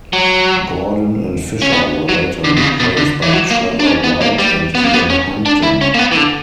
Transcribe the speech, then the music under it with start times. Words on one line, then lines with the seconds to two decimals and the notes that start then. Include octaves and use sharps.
Gordon and Fisher were later replaced by Trevor White and Ian Hampton.
0.13 F#3
1.62 C#4
1.73 B3
2.09 F#3
2.44 D3
2.57 B2
2.62 C#3
2.80 B2
2.97 D3
3.22 E3
3.33 F#3
3.51 A#3
3.80 D4
3.86 C#4
4.04 B3
4.22 A#3
4.39 G3
4.75 B3
4.84 A#3
4.94 B3
5.10 C#4
5.46 D4
5.63 E4
5.81 C#4
5.94 A#3
5.99 B3
6.11 E3
6.17 D3